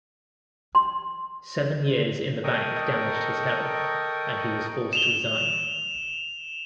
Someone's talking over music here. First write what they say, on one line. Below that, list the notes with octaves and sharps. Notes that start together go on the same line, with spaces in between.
Seven years in the bank damaged his health, and he was forced to resign.
C6
A4 A#4 D#5 G5 C#6 D#6
E7 F7 G7